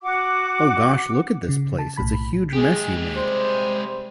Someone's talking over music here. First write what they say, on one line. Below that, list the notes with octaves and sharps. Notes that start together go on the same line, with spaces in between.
Oh gosh, look at this place, it's a huge mess you made.
F#4 F#5 D6
C#3
A5
B1 A2 B5
G#3 G4 G#4
C3 G3 C5